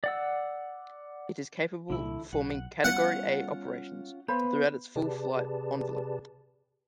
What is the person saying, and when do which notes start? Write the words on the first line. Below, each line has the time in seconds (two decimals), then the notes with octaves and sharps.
It is capable of performing Category A operations throughout its full flight envelope.
0.04 D5 F#5 E6
1.90 C2 A#2 D3 E4
2.33 B1 F#5
2.84 G3 B3 C#4 F4 F#5
4.28 B3 C5 F5 B5
4.96 C3 G4 G#4 B4 D5 A5